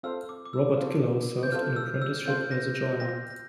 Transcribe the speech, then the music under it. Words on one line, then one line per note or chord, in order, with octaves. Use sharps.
Robert Gillow served an apprenticeship as a joiner.
C4 F4 A4 C5 F5 E6
D6
D6
E6
C4 F4 A4 C5 F5
G6
C4 F4 A4 C5 F5 F6
E6
E6
C4 F4 A4 C5 F5 G6
A#6
A#6
F4 C5 G5 A#6
A#6